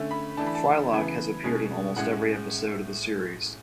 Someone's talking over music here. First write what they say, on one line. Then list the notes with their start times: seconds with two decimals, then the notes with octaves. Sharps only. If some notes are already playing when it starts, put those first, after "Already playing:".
Frylock has appeared in almost every episode of the series.
Already playing: D3 A3 C#4
0.11 B5
0.37 E3 A3 D4 A5
0.47 B5
0.55 A5
0.91 C#3 E3 B3
1.44 B2 G#3 C#4
1.96 A2 G#3 C#4 F#5